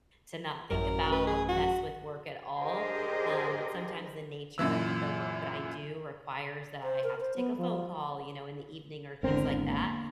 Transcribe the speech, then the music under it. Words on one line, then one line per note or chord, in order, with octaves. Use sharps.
to not think about mess with work at all. Um, but sometimes the nature of the work that I do requires that I have to take a phone call, you know, in the evening or things like that.
A1 F#2 A#4
B4
G#4
F#4
D4 G4 G#4 A#4 C5 D#5
F#2 A#2 E3 E6
C5
A#4
C5
B3
F3
G#1 E2 D3 C4 A#4
A#3